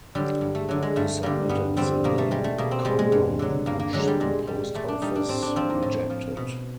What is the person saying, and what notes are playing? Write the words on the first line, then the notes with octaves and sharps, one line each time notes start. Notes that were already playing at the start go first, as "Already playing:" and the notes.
He submitted the name Condon, which the Post Office rejected.
D3 F#3 G3
G2
A3
D3 F#3
G#3
G2 A3
D3 G3 A#3
G2 B3
D3 G3 C4
B2 A#3
A3
G3 G#3
A3
B2 A#3
C4
G3 G#3
G#3
G2
D3 F#3
G2 A#3
A#3
D3 F#3 G#3
G3
A#2 G#3
G3
A#2 A3
D4
G3 D#4
D4
A2 C4
D4
F3 C4
A#3
A2
F3
B2